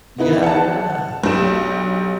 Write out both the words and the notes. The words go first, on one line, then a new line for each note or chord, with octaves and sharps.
Yeah, yeah.
B3 D#4 E4 B4
F#5 A5
B1 D4 G4 E7